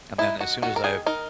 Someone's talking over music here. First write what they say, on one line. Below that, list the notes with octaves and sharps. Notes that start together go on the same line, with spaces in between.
and then, as soon as I've
D#4 E4
F#4
D#3 F#4
A#4
G#4
D#4 A#4